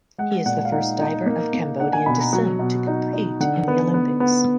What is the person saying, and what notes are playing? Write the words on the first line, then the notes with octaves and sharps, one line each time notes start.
He is the first diver of Cambodian descent to compete in the Olympics.
G#3 F#5
A#2 F#5
F5
D#4 F#5
D#4
A#3
A#3
D4 F#5
G#5
B2 B5
A#5
F#3 F#5
B2
D#4
D#4
D3 F#5
B3
B3
B3